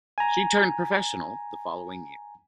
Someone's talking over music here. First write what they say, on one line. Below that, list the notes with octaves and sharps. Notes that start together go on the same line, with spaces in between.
She turned professional the following year.
G#5 A#5